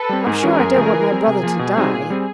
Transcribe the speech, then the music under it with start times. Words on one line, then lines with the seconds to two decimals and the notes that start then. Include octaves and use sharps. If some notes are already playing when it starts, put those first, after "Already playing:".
"I'm sure I don't want my brother to die."
Already playing: A4 B4
0.09 G3 C4
0.26 G#2 G#4 A#4
0.43 E3 G#3 C#4 F#4
0.60 F#2
0.76 C#3 F3 A3
0.93 E3
1.10 G3 C4
1.26 C3 G#4
1.43 F3 A#3
1.59 B2
1.77 G3 C4 D#4 F#4
1.93 A#2
2.10 G3 C4